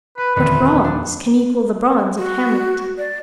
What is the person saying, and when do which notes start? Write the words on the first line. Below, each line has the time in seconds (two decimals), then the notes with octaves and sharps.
What bronze can equal the bronze of "Hamlet"?
0.18 B4 B5
0.36 D#1 F2 D3 B4
0.84 D4
2.18 F#4
2.98 D5